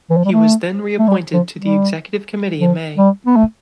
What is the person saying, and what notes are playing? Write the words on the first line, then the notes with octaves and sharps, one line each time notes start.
He was then reappointed to the Executive Committee in May.
E3
F3
G3
A3
A3
G3
F3
G3
F3
G3
B3
A3